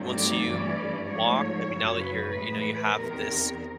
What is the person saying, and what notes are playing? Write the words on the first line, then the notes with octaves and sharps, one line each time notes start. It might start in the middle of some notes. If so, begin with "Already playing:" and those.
once you walk? I mean, now that you're you know, you have this
Already playing: G2 D#3 F#3 A3 C4
D5
G2 E3 A3 C#4
G#2 F3 A3 C#5
F#2 C#3 F#3
B4
A2 E3 G#3 B4
E2 C3 D#3 A#4